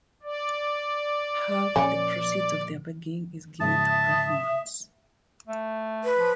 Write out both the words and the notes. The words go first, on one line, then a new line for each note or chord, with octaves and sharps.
Half the proceeds of their begging is given to Brahmans.
D5
A#2 F3 C#4
G#2 C#3 F3 E5 A5 D#6
A3
B4
F3